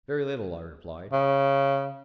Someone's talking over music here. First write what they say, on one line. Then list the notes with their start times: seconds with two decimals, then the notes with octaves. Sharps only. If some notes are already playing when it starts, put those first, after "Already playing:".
"Very little," I replied.
1.12 C#3